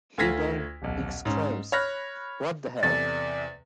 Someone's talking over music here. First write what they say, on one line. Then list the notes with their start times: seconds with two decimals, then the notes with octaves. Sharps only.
He then exclaims: What the hell?!
0.18 D2 A3 F4 G#6 A#6 B6
0.82 D#1 B1
1.25 G#2 C#4
1.72 C#5 B5 F6 F#6 A#6
2.83 E2 C3 A4 D5 A6